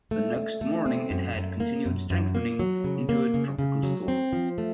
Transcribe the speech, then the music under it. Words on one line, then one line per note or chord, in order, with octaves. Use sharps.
The next morning it had continued strengthening into a tropical storm.
A3
A3
A3
C4
F#2
F#2
A#3
F#2
F#2
A#3
F#3
C#3
A#3
C#3
C#3
F#3
C4
F3
A3